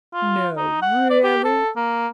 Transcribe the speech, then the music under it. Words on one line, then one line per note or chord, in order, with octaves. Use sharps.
'No, really?
F4
D#4
F#5
D5
G4
A4
A#3